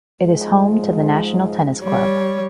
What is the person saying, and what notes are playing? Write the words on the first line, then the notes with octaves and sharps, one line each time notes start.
It is home to the National Tennis Club.
G#2 F3 G#3
G3 C#5